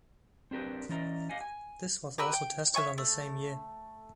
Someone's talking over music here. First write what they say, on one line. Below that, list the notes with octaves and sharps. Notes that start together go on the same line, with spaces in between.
This was also tested on the same year.
C4 D4 G4 A#4 B4
E3 C#4 D5 D#5 A#5
G4 D#5 F5 F#5 G#5
G#5
G4 A#4 B4 E6
G5
C#5 E5 G#5 C#6
A3